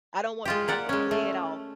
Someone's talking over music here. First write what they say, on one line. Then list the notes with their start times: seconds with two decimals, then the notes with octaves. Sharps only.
I don't want them to have to play it off
0.45 G#3 F4 G4
0.68 A#3 D5 F#5
0.89 G#3 C#4
1.11 A3